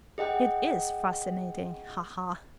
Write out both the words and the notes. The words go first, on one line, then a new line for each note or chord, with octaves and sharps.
It is fascinating, ha-ha!
G#4 D#5 F#5 G5